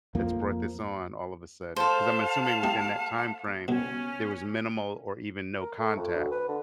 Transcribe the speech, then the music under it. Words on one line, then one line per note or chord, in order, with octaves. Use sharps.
that's brought this on all of a sudden?" 'Cause I'm assuming within that time frame, there was minimal or even no contact.
F2 F3 A#3
A4 C5 F5 A5
G#3 E4 G4
C2 B2 C#4
A#4
A3
F2
D2
B4
D3